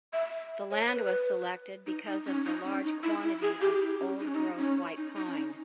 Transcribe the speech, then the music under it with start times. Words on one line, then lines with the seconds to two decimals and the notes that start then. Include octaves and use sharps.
The land was selected because of the large quantity of old growth white pine.
0.13 E5
0.71 C#5
0.90 B4
1.87 D#4
2.07 D#4
2.26 C#4
2.46 D#4
2.64 C#4
2.84 D#4
3.03 E4
3.23 E4
3.42 G#4
3.61 G4
3.81 E4
4.00 C#4
4.20 D#4
4.27 C#4
4.35 D#4
4.59 C#4
4.97 D#4
5.16 D#4
5.27 C#4
5.36 D#4